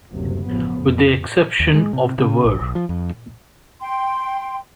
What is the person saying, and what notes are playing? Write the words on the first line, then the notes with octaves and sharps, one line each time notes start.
With the exception of the Ver.
F#1 D2 G2 C3 F#3
A1 F#2 C#3 F3 B3
F2
D#2
G#3
C3
C#3
A#1
B1
F3
F2
G5 C6